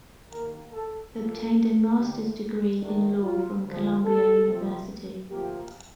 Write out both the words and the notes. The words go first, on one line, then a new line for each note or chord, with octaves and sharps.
Obtained a master's degree in law from Columbia University.
D#2 D#3 A#3 A#4
A4
A2 F3 A#3 A4
D#2 D3 A3 G4
D#2 D#3 A3 D4
F4
D2 D3 F3
A4
C2 C3 F3
D2 C3 F3 A#3 G4